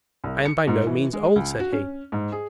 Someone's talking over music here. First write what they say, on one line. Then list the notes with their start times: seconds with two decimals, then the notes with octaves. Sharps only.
"I am by no means old," said he.
0.24 C2
0.45 C#7
0.67 G#2
0.87 E3
1.13 G#3
1.36 C#2
1.60 F#4
1.72 C#4
2.12 G#2
2.32 G#4